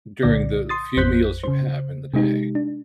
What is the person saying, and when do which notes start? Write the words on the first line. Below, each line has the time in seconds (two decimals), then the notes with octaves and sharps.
during the few meals you have in the day.
0.22 C2 A#2 D3 D5 A#6
0.69 C6 D#6 A6
0.97 A1 F2 C5 F#6 G6 B6
1.44 C#3 C5
2.14 C3 G#3 D#4 G4
2.55 D4